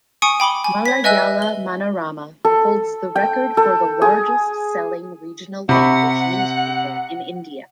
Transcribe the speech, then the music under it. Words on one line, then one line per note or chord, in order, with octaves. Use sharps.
"Malayala Manorama" holds the record for the largest selling regional language newspaper in India.
G#5 C#6 D#6 C#7 D7
G5 B5 D6 G7
G#5
C#5 B6
B4 D#5 E5 G#5 E6 F#6
G7
A4
G5
A4
G#4
C3 F#5 B5 C#6